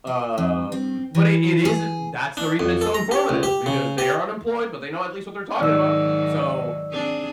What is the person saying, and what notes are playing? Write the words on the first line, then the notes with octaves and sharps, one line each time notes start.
Um, but it it isn't That's the reason it's so informative, because, they are unemployed, but they know at least what they're talking about. So,
F4
F2
C4
E3
G#4
D4
F2
A4
A#5
G4
C#2
G4
C#3
G4
G#2 D#3 F#3 D5 E6
C4 D4 G#4